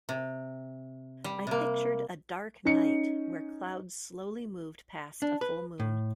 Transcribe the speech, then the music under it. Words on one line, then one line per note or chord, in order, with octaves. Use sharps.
I pictured a dark night where clouds slowly moved past a full moon.
C3
G3
C3 A#3
C#4 D#4 C#7
D4
B4
A2